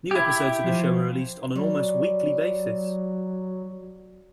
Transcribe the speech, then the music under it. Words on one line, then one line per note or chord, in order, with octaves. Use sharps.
New episodes of the show are released on an almost weekly basis.
E4 G4
F3 C5
F#3 G3